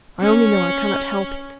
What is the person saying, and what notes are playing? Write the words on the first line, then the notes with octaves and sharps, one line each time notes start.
I only know I cannot help it.
C#4